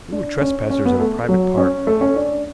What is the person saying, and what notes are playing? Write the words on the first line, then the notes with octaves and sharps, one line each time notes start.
We were trespassers in a private park.
D4
C#4
C#4
B3
A3
F#3
C#4
A3
C#4
D4